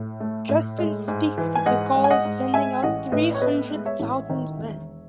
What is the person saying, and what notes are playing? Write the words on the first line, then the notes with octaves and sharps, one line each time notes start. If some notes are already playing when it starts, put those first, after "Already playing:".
Justin speaks of the Gauls sending out three hundred thousand men.
Already playing: A2
A3
A2
G#3
G#2
E3
G#5
G#2 D#5 F#5
G#3
G#5
D#5 F#5
G#2
G#3 E5 G#5
A1 D#5 F#5
A2 B4 D#5
C#5
B3 B4 D#5
G#3
C#5 E5
A1
D#3
E1